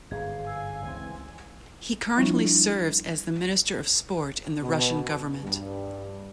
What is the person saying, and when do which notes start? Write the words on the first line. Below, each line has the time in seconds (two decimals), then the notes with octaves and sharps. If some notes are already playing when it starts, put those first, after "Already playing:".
He currently serves as the Minister of Sport in the Russian government.
0.11 G1 G#2 G#4 F5
0.47 G#5 E6
0.86 C#2 E3 C4
2.17 F3 G3 D4 E4 F4
4.61 B2
5.42 G2